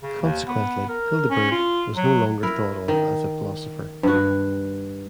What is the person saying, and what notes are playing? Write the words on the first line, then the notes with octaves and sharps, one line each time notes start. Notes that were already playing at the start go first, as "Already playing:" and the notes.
Consequently, Hildebert is no longer thought of as a philosopher.
C#3
D#2
B3
A#4
C#4
F4
F#3
E4 A#4
D#3
G2 F#4